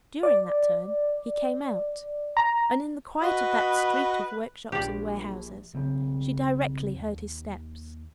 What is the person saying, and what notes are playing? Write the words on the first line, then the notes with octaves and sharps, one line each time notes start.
During that turn he came out, and in the quiet of that street of workshops and warehouses, she directly heard his steps.
D5
A#5
F#4 B4 D#5
A#1 G4 D5
B1 C#3 C4
D#2